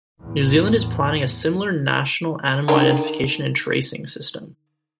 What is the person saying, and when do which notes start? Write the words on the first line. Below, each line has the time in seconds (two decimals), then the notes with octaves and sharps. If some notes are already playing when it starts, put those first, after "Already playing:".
New Zealand is planning a similar National Animal Identification and Tracing system.
0.21 E2 A2
2.68 D3 D#3 D4